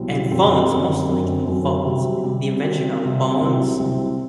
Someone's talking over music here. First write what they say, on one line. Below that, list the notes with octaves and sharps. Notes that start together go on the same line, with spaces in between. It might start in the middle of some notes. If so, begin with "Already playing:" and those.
and phones, most likely phones. The invention of phones,
Already playing: C2 B2 F#3 C4
F#2 D3 F#3 C4
F#2 D3 F#3 C4
F#2 D3 F#3 C4
F#2 D3 F#3 C4
C3 G3 C4 F#4
C3 G3 C4 F#4
C3 G3 C4 F#4
C3 G3 C4 F#4
C2 C3 F#3 C4
C2 C3 F#3 C4